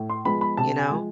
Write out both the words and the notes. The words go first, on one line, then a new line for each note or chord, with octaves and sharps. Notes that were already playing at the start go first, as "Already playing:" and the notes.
You know?
Already playing: A2
C6
F3 G#3 B3 B5
B5
C3 A5
G#5
F3 G#3